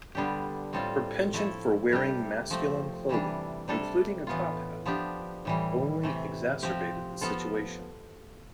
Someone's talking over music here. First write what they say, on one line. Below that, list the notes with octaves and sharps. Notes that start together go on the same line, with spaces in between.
Her penchant for wearing masculine clothing, including a top hat, only exacerbated the situation.
D3 G3 B3 D4 G4
A2 G3 C4 F4 A4
F3 A3 E4 A4
C3 G3 D4 G4
F3 A3 C4
C3 E3 G3 D4
C3 G3 D4 A4
A2 E3 B3 F4
F3 B3 D4 G4
A2 E3 G3
C3 E3 A3
F3 C4 G4
F3 B3 F4 A4